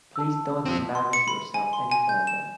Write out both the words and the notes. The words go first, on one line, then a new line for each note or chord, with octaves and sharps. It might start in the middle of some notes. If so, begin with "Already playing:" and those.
Please don't embarrass yourself any further.
A5 E6
F3 C4
C6
C#7
B5
G#5
C6
G#5
G6
E7